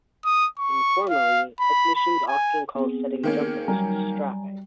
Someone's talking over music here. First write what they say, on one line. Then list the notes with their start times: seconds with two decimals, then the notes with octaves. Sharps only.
Informally, technicians often call setting jumpers "strapping".
0.25 D#6
0.58 C#6
1.10 F5
1.60 B5
1.96 B5
2.28 G#5
2.75 B3 C4 G#4
3.23 D#3 A#3 C#4
3.68 F#3 G3 G#5 A#5